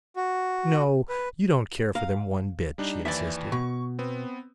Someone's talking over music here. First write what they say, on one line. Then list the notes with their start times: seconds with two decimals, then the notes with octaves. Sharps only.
"No, you don't care for them one bit," she insisted.
0.16 F#4
1.09 B4
1.95 F5 A#5
2.78 G3 D4 D#4
3.05 D#2 E3 E4 D5 E5
3.52 B2 C#6
3.99 B3 C4